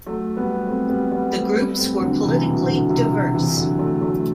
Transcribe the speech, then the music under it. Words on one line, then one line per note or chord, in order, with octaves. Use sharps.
The groups were politically diverse.
F#3 A3
G3 B3
A3 C4
G3 B3
G3 B3
A3 C4
G3 B3
A3 C4
D3 F#3
C3 E3
B2 D3
B2 D3
C3
C3
C3 E3
D3 F#3
F#3 A3
F#3 A3